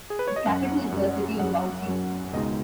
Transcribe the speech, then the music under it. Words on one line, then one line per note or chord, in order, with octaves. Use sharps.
Its capital is the city of Bauchi.
G#4
B4
C#5
D#5
F#2 F#3 C#4 F#5
F#2 F#3 C#4
F#2 F#3 C#4 F#5
F#2 F#3 C#4
C#2 B2 G#3 D#4 D#5